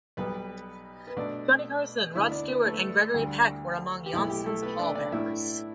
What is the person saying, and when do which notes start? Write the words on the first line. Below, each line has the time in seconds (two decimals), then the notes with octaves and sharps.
Johnny Carson, Rod Stewart and Gregory Peck were among Janssen's pallbearers.
0.17 B1 B2 G3 B3 B4
1.07 B4
1.17 B2 A3 D4 D5
2.15 D2 D3 B3 D4 E4 E5
2.32 D4 D5
2.48 B3 B4
2.65 A3 A4
3.14 D2 D3 G3 D4
4.06 G4
4.13 B1 B2 A3 E4
4.30 G4
4.46 A3 A4
4.63 B3 B4
4.79 D4 D5
4.95 D4 D5
5.12 A2 A3 D4 E4 E5